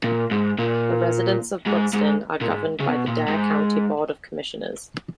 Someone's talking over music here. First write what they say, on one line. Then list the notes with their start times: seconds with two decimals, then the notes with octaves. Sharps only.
The residents of Buxton are governed by the Dare County Board of Commissioners.
0.04 A#2
0.31 G#2
0.58 A#2
1.67 G#2
1.94 G#2
2.42 A#2
2.47 G#2
2.80 C#3
2.88 B2
3.07 A#2
3.28 G#2